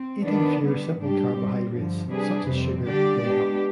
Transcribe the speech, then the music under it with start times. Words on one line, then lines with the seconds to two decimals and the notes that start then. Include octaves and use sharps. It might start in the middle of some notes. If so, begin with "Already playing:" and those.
Eating fewer simple carbohydrates such as sugar may help.
Already playing: C4
0.25 D#3 B3 D4
0.62 D3 G3 B3
0.99 G#2 G3 D4 G4
1.36 G#2 G3 C4
1.73 G2 D3 F3
2.09 C3 G3 D4 G#4 B4
2.47 F2 C3 G3 C4
2.85 D3 G3 D4 G4 D5
3.21 G#3 B3 D4 G4